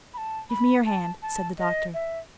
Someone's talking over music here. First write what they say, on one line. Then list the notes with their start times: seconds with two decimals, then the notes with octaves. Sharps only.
"Give me your hand," said the doctor.
0.14 B5
0.18 A5
0.50 B5
0.86 A5
1.22 A5
1.58 D#5
1.94 E5